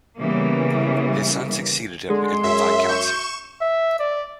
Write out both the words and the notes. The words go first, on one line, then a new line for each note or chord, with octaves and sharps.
His son succeeded him in the viscountcy.
C#3 E3 G3 A#3 B3
D3 G#3 C6
F#2 E5
C#6 G6 E7
E5
D5